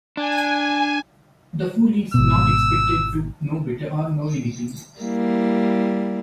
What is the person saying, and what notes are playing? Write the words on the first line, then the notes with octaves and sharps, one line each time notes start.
The fool is not expected to "know better" or "know" anything.
D4 G#5
G#1 B2 E6
G3 A#3 E4